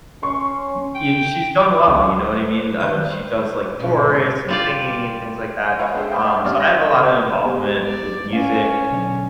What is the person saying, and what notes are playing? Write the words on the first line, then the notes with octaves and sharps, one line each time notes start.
You kn she's done well, you know what I mean? Uh, she does, like, chorus and singing and things like that, um, so I have a lot of involvement with music.
C#4 C6 C#6
G5
C#2 B4 C5
D#3 G6
G#2 B2 C#4
G3 F4 D5
B4 C#5 D#5 F5 F#5 G#5
G#3 D4 A4 C5 E5 G5
F5 G5 A5 B5 C6
D5 G5 B5
G2 D3 G3 C#4 D5 F6
A#6 E7
C#2
B3 G4 C5
D5
C#4 B4 F5
B1 D3 D5